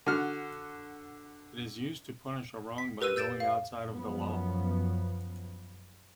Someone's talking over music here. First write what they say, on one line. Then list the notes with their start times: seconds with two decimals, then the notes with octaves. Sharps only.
It is used to punish a wrong by going outside of the law.
0.06 D3 F#4 F6
2.78 B6
3.01 G4 A#4 B4 E6 D#7
3.16 E6 G6 A6 D7 E7
3.40 F5
3.89 F#2 F3 B3